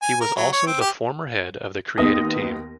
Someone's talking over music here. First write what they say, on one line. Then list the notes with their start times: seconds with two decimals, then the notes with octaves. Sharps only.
He was also the former head of the creative team.
0.01 G#5
0.20 A#4
0.36 F#3
0.53 C#5
0.66 C4
0.80 G4
1.98 D#2 B3 D#4 D#6 A#6